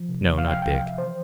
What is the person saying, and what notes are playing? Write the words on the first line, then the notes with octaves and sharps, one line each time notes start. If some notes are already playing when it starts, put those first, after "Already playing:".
"No, not big."
Already playing: F3
C3
C3
F5
F3 G5
F5
C3 G5
F5
F3
E5
E3 C5